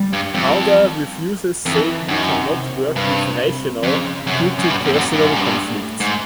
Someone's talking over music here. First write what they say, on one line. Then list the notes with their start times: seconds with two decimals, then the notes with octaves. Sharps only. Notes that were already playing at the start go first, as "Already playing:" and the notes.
Halder refuses saying he cannot work with Reichenau due to personal conflicts.
Already playing: G3
0.13 G2
0.35 F2
1.66 F2 E3
2.09 F#2 D#3
2.53 C3
2.96 G2
3.40 C3
3.82 F2 C#3
4.26 F#2 C3
4.59 F#2
4.70 G2 A#2
4.85 E2
4.94 F2
4.98 F#2
5.13 G2
5.25 F#2
5.36 G2
5.57 A2
6.00 G#2